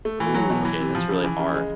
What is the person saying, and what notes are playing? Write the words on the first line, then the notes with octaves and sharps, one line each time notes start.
Ooh, okay, that's really hard.
A3
E3
F#3
B2
E3
C3
F3
C#3
E3
C#3
G#3